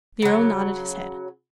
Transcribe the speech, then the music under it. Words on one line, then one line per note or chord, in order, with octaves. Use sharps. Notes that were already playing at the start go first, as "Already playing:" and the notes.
The Earl nodded his head.
C#3 F#3